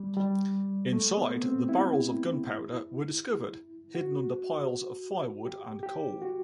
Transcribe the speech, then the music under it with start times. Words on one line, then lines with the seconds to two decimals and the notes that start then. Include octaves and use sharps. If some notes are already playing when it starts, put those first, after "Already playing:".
Inside, the barrels of gunpowder were discovered hidden under piles of firewood and coal.
Already playing: G3
0.17 G3
0.93 A3
1.17 B3
1.43 C4
1.69 E4
3.95 F#4
5.45 G4
5.83 G4
6.22 F#4